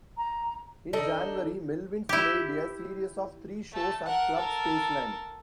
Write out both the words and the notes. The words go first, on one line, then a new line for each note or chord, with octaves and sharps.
In January, Melvins played a series of three shows at Club Spaceland.
A#5
D4 D#4 A4 D#5
E4 G4
A3 A4
A#4 F#5
A4 A#4